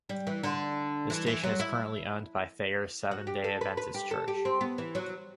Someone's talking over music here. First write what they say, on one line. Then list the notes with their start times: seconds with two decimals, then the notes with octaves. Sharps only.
The station is currently owned by Thayer Seventh-day Adventist Church.
0.09 G3
0.27 E3
0.43 D3
1.10 E3
1.26 E3
1.43 F#3
1.60 E4
3.11 F#4
3.27 G4
3.44 A4
3.61 B4
3.77 B4
3.94 G4
4.11 A4
4.28 G4
4.45 C4
4.61 B3
4.78 E3
4.95 F#3